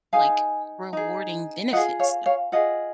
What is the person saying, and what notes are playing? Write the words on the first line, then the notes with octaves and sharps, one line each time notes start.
like, rewarding benefits though.
D#4 G#4 F5 G#5
D#4 G#4
F4 G#4 D#5 F#5
C#5 F5
C#5 F5
F4 G#4 D#5 F#5